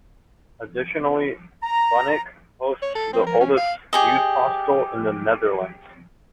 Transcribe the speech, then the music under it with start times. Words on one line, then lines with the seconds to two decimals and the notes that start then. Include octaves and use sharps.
Additionally, Bunnik, hosts the oldest Youth Hostel in the Netherlands.
1.63 A#5
2.82 C#5
2.95 A4
3.13 C4
3.26 A#4
3.40 C#4
3.57 F5
3.93 G4 G#4 D#5